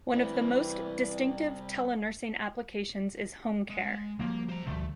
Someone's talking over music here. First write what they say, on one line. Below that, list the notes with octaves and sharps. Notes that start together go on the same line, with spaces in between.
One of the most distinctive telenursing applications is home care.
E3 G3 C4 D5
G#3
F3 G3 A#3
C5 A#5
D2 F3 G3 A3